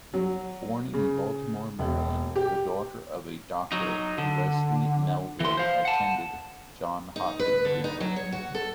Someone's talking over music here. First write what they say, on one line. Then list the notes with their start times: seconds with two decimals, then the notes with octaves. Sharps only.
Born in Baltimore, Maryland, the daughter of a Doctor, Leslie-Melville attended Johns Hopkins University.
0.14 F#3
0.93 C#3
1.79 E1
2.36 G4
3.72 F#3 D#4
4.18 D3
5.40 E3 C6
5.57 C5 F5
5.85 F#5 A5
7.16 D#4
7.39 B4
7.65 D3
7.84 D#4
8.00 F#3
8.16 C#5
8.32 F#4
8.55 A4